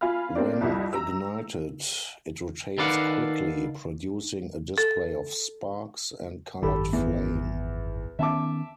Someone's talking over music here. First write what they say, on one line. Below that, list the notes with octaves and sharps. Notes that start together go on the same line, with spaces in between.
When ignited, it rotates quickly, producing a display of sparks and coloured flame.
F4 F5 G#5 B5 F6
A#3 C4 D4 D5
C2 F2 G3 E4
A#5 E6
D#3 A4 B4 D5 F5 F#5
A4
G#1 F#2 D#3 G4 A4 B5
E2
D#3 B3 C#4 E5 A5 D6